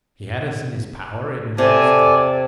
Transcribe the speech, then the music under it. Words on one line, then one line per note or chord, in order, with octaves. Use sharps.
He had us in his power and he let us go.
C3 A4 D5 G#5